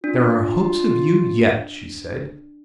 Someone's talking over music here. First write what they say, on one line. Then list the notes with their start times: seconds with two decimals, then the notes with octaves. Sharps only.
"There are hopes of you yet," she said.
0.04 D4 F4